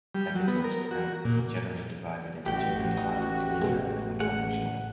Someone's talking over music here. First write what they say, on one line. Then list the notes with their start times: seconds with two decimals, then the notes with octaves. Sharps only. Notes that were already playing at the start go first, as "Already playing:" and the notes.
Epitopes can be generally divided into two main classes: linear and conformational.
0.15 G3
0.35 F#3
0.48 B3
0.64 A#4
0.91 F#4
1.25 A#2
2.46 A1 F#4 G4 G5
2.97 D#4
3.61 B2 G#3
4.20 G#3 F#5